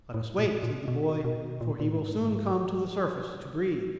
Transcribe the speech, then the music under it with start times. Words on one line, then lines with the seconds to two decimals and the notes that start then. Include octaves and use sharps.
"Let us wait," said the boy, "for he will soon come to the surface to breathe."
0.14 A2
0.39 A#2
0.63 A#2
0.88 B2
1.24 B2
1.61 A#2
1.80 A#2
1.89 A2
1.98 G#2